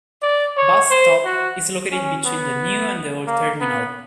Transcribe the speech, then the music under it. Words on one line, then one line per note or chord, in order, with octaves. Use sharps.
Bus stop is located between the new and the old terminal.
D5
C#5
C5
F#4
C#4
B3
A#3
B3